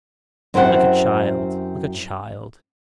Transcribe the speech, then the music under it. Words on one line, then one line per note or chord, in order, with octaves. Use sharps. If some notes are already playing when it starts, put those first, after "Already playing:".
Like a child, like a child.
F#2 C4 E4 G4 C5 F#5